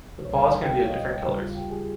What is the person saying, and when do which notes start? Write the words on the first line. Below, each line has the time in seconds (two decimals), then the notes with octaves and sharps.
The paws can be of different colors.
0.25 C2 A#2 G3 C#5
0.38 F5
0.50 F5
0.62 G5
0.74 F5
0.84 C#5
0.90 D#5
1.06 C#5
1.22 D#2 C#3 G3 G4
1.38 F4
1.55 G4
1.70 G#4